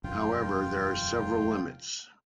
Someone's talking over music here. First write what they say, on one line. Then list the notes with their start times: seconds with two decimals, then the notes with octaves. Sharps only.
However, there are several limits.
0.04 E1 F#2 D3 F4 G5